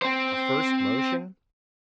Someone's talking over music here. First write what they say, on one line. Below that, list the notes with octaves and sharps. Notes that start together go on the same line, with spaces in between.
A first motion?
C4 C5